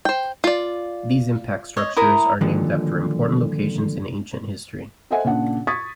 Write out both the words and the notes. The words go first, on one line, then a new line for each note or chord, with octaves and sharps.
These impact structures are named after important locations in ancient history.
C5 G5
F4 D5
C#5 D#5
E4 A#4 D#6
G2 A#2 D3 D#3 F3 F#3
A4 C5 D#5 E5 F#5 G#5
A#2 C#3 D4 F#5
C#6 D#6 G#6 A6 B6